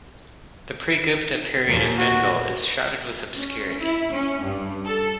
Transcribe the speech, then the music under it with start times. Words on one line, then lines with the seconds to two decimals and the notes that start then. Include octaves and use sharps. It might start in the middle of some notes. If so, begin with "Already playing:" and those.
The pre-Gupta period of Bengal is shrouded with obscurity.
1.66 D#2 A#2
1.98 F#4
3.35 C#4
3.78 E4
4.12 C#4
4.42 G2
4.85 A4